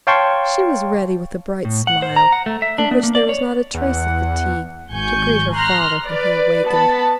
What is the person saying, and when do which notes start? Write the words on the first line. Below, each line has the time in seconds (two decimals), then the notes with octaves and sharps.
She was ready with a bright smile, in which there was not a trace of fatigue, to greet her father when he awakened.
0.07 C#5 F5 G5 A5 C6 C#6
1.65 A2
1.87 F#5
2.02 C5
2.16 A#5
2.32 F#5
2.46 A3
2.62 E5
2.78 D4
2.91 B3
3.03 A#3
3.15 D5
3.29 C#5
3.74 E2 F#5
4.90 G#1 G#5 C#6 G6
5.54 A#5 C6 F6 F#6 A#6
6.05 B4 D5
6.68 B3 A5 B5